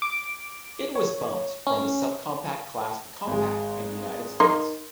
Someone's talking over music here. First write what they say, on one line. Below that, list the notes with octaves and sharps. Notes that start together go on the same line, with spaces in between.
It was bumped from the subcompact class to compact in the United States.
D6
C#5
C#4
G#1 G#3
D#4 A#4 C6